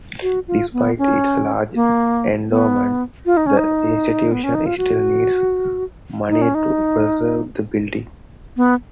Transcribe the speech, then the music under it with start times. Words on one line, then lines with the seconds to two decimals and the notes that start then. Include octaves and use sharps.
Despite its large endowment, the institution still needs money to preserve the building.
0.22 F#4
0.48 F4
0.73 B3
0.98 C#4
1.75 A#3
2.50 B3
3.26 F4
3.37 D#4
3.46 C#4
3.58 D#4
4.32 B3
4.44 C#4
4.54 D#4
4.66 F4
4.78 F#4
6.29 D#4
6.42 C#4
6.55 D#4
8.57 B3